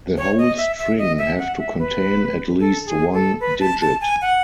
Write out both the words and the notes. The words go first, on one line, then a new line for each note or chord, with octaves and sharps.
The whole string have to contain at least one digit.
C#5
D#5
E5
E5
D#5
E5
F#5
E5
B4
A4
G#4
A4
B4
A5
A5
G#5
F#5